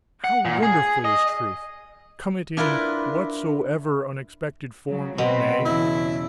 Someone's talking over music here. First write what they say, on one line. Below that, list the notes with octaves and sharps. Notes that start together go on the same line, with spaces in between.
How wonderful is truth, come it in whatsoever unexpected form it may!
F#5
A#2
G#4
D#5
D4 E4 F4 A#4 B4
C#3 F#3
B2 C4 F#4 B4
E2 C#3 E4